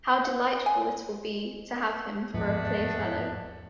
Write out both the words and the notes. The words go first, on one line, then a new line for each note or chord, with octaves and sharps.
How delightful it will be to have him for a playfellow!
F#5
G#5
E2 G#2 F3 A3 B3 D4